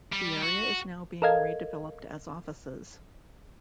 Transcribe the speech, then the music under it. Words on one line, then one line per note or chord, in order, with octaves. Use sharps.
The area is now being redeveloped as offices.
G3
F#4
A4 A#4 D#5 F5 G#6